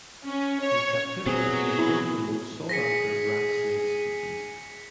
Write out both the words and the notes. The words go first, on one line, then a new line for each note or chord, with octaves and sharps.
In captivity, it is one of the most sought-after rat snake species.
C#4
C#5
B2 F#3 C4 G#4
E4
G#4 A#6 B6 C#7